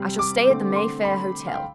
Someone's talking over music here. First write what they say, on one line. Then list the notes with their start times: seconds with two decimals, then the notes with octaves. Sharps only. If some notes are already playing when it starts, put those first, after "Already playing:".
I shall stay at the Mayfair Hotel.
Already playing: C3 G3 C4
0.19 D6
0.47 D3 A3 C4
0.76 C6
1.04 B5
1.47 F5
1.55 G5